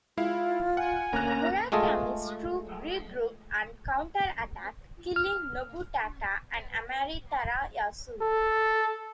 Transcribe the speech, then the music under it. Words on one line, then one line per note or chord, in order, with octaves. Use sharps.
Murakami's troop regrouped and counterattacked, killing Nobutaka and Amari Torayasu.
G#3 E4 F4 F5
F#5 G#5
D2 A#3 C#4 A#5 F#6
G#3 A3 F4 G#4 A4 D#5
F6
A4